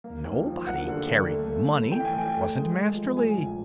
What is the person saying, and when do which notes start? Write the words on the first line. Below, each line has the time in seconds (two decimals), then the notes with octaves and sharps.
Nobody carried money; wasn't Masterly.
0.04 A#3
0.24 D#2
0.45 F3
0.67 A#3 F#5
0.87 D3
1.08 A#3
1.29 A3
1.50 A3
1.70 A3
1.92 E3 G5
2.05 G#5
2.12 A3
2.18 G5
2.33 A3
2.54 G#3
2.74 G#3
2.95 F3
3.16 G#3 G#5
3.37 A#1